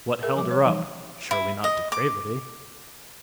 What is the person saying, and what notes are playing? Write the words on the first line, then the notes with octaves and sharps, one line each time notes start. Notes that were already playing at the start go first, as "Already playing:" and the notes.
What held her up--surely not depravity?
G#4 A#4 E5
F3 G3 D6
C#5
E3 F3 G3 D#4
E4
D#5
D6